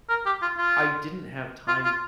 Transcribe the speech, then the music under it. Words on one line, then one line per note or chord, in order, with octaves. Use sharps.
I didn't have time
A#4
G4
F4
F4
F4
F4